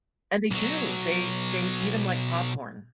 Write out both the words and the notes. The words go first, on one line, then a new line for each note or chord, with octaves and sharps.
And they do. They they eat 'em like popcorn.
B1 F#3